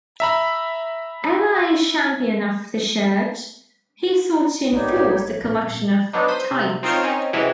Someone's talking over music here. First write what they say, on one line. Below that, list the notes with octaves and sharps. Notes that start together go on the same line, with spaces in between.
Ever a champion of the Church, he sought to enforce the collection of tithes.
E5 A#5 B5
A1 G#2 A#3 D#4 G4 B4 C#5 D5
F#3 B3 D4 D#4
C5 B6 D#7
C3
C4 D#4 F4 A#4 C5 C#5
C4 C#4 D#4
C3 E3 F#3 G#3 C#4 E4